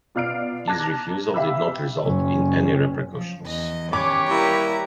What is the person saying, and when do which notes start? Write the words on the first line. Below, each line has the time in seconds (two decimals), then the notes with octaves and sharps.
His refusal did not result in any repercussions.
0.15 B2 F4 D5 F6 C7 D7
0.68 A5 A#5 D6 F#6 G#6 A#6
1.34 G4 E5 F5 B5 D6 E6
2.04 F#1 C#4
3.13 F3
3.45 E2 D#5
3.93 D#3 C#4 G4 B4 C#5 D6
4.30 G3 A#3 E4 A#5